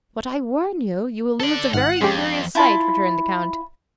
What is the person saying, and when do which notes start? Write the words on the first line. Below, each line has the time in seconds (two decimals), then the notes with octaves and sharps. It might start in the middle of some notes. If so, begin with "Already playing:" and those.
"But I warn you, you will lose a very curious sight," returned the count.
1.40 A4 D5
1.74 G#1 G#2 F#5 F6
2.01 F2 G#3 C#4 G4
2.55 E4 F4 A5 B5